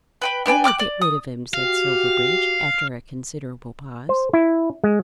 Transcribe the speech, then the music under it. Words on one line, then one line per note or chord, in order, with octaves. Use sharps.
"I will get rid of him," said Silverbridge, after a considerable pause.
B4 G5 B5
D4 B4 G5 G#5
G5 D6 F6 F#6
D5
D#6
F#4 G4 F5
C5
E4
G#3